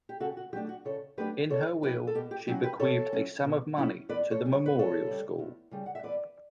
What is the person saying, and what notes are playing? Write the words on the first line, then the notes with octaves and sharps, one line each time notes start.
In her will, she bequeathed a sum of money to the Memorial School.
G4
C#3 F#4 A4
F#4
F#3 A3 D4 G4
F#4
C#3 A4 C#5
F#3 A3 D4 G4 B4
B2 A4 C#5
F#3 C#4 E4 G4 B4
A4
B2 G4
G4
F#3 C#4 E4 G4
G4 B4
B2 A4 C#5
F#3 C#4 E4
B2
F#3 C#4 E4
E2 B4 D5
A4 C#5
C#3 G3
C#5
B4
E2
A4 C#5
C#3 G3
E2
C#3 G3
F#5
E5
E2 B4 D5